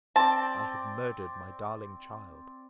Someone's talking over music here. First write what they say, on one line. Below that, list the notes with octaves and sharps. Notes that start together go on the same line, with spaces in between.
I have murdered my darling child!'
C4 D5 A5